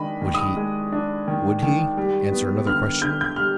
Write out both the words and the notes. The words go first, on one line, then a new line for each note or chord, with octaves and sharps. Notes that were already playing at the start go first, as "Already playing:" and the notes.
Would he--would he?--answer another question?...
Already playing: D#3 G#3 D4 D#5 B5
D#3
D#6
G#3
D4
D#3
D#3
G3
B3
D3 F6
D3 G6
G6
G3 F6